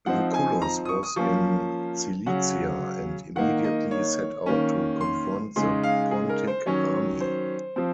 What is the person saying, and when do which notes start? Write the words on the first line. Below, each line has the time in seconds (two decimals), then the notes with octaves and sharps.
Lucullus was in Cilicia and immediately set out to confront the Pontic army.
0.06 F3 C4 D#4 F#5
0.34 G#5
0.62 A#5
0.85 D#6
0.89 C#6
1.03 D#6
1.16 F3 A#3 C#4 C#6
2.26 C#3 F#3 C#4 F#5
3.36 D#3 A#3 D#4 F#5
3.64 D#5
3.91 C#5
4.46 D#3 A#3 C#4
5.01 C6
5.56 C#3 G#3 D#4 C6
5.83 F5
6.11 G#4
6.29 A#4
6.47 C5
6.66 D#3 F#3 C#4 C#5
7.21 C5
7.76 F3 C4